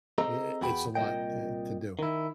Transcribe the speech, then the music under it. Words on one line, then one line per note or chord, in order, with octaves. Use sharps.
i i it's a lot, eh, to do,
C4 G#4 A4 D#5 A#5
E2 B3 F#4 G#4 G5 B5
C2 A#2 F3 D#5 G5
D#3 E4